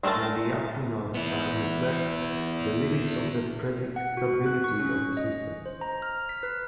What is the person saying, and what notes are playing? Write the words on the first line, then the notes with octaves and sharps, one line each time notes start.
The Lyapunov time reflects the limits of the predictability of the system.
G#3 A3 A#4 E5 A5
B3 E4
F#5
F#4
F#6
C#6
C#4
D#5
C5
A#5
F6
B6
B4